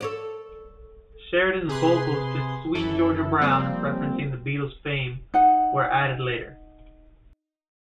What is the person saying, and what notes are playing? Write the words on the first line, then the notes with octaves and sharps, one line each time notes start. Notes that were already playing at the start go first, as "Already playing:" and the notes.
Sheridan's vocals to "Sweet Georgia Brown", referencing the Beatles' fame, were added later.
A4 C#5 D5
C3 G#4 B4 C6
F#2 E3 E4 A4
F3 G3 A#3 C4
D#4 F#5